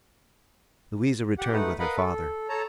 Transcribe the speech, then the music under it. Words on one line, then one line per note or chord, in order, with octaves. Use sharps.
Louisa returned with her father.
G4 F#5
A3 D#4 B4 F#5
A#4 B4 D#5 F5 F#5 B5
A4
A4 C#5 A5 A#5